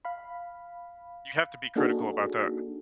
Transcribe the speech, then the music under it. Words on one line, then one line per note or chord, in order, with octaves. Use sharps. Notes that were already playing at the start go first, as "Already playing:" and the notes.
you have to be critical about that.
F5 B5
A#3 D4 D#4 F#4 G#4 A4